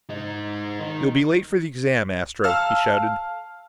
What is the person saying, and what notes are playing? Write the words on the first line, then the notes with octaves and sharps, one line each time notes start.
"You'll be late for the exam, Astro!" he shouted.
G#3 D#4
D#3
A4 F5 A5 A#5 E6 F6